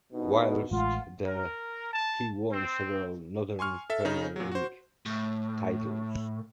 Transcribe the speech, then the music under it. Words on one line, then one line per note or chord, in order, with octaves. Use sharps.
Whilst there, he won several Northern Premier League titles.
C2 G2 B2 D#4
A1 G#3 F4 F#5
A#4
A5
C4
G#5 C6 C#6 F6
A4 E5
C#3 C#4 D#4
A#2 F#3
F#4 C5
A2